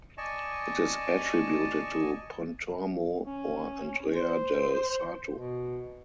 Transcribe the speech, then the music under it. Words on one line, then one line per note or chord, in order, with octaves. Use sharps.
It is attributed to Pontormo or Andrea del Sarto.
D5 D#5 G#5 A5 C#6
C#4
C5
B2